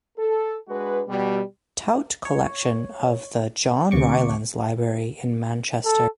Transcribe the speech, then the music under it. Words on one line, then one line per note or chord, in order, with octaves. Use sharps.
Tout Collection of the John Rylands Library in Manchester.
A4
G#3 D4 F#4 B4
B2 G3
C#5
D2 C3 C#6 D6
A4